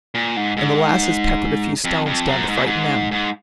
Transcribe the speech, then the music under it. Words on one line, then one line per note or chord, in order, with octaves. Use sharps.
And the lasses peppered a few stones down to frighten them.
A#2
G#2
G#2
F2
F2
F#2
G#2
A#2
G#2
G#2